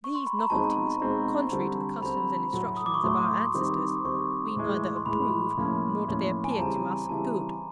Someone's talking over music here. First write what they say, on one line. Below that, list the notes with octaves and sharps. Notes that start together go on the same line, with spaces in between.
These novelties, contrary to the customs and instructions of our ancestors, we neither approve, nor do they appear to us good.
C#6
C6
B5
A#5
B2 G#3 C4 D#4 A5
B2 G#3 C4 D#4 A#5
D3 G3 C4
D3 G3 C4 B5
A2 F#3 A3
D#6
D6
C#6
A2 F#3 A3 C6
D#3 G3 C4
D#3 G3 C4 C#6
A2 E3 G#3
C6
A2 E3 G#3 B5
A2 F3 A#3 C#4 E4
A2 F3 A#3 C#4 E4
G#5
A5
C#3 E3 G3 C4 A#5
C#3 E3 G3 C4 A5